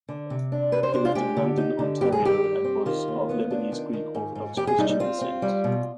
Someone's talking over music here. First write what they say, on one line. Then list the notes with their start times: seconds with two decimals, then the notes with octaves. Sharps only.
He lived in London, Ontario, and was of Lebanese Greek Orthodox Christian descent.
0.09 D3
0.30 C3
0.52 D4
0.72 C3 B4
0.83 C5
0.94 D4 C5
1.05 F4
1.15 G#3 G4
1.37 D3
1.57 D#4
1.79 D3
2.01 G2 G4
2.12 G#4
2.22 D#3 G4
2.44 G2
2.64 C4
2.86 D#3 F4
3.08 D#2
3.29 B3
3.51 D4
3.72 D#3
3.93 D#3
4.15 G#2
4.35 G#2
4.57 F2 G4
4.67 G#4
4.78 G3 D#4
4.89 D#4
5.00 C4 F4
5.21 C4
5.42 G3
5.64 B2